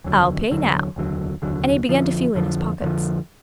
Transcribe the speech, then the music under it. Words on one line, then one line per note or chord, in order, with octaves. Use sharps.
"I'll pay now," and he began to feel in his pockets....
F1 D#2 D3 F#3
F1 D#2 D3 F#3
F1 D#2 D3 F#3
F1 D#2 D3 F#3
F2 D3 F3
F2 D3 F3
F2 D3 F3